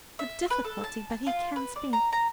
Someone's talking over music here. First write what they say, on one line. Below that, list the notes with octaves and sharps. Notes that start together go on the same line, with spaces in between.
"With difficulty, but he can speak."
E5
B4
A4
A5
A5
F4
B4
D5
A#5
A#5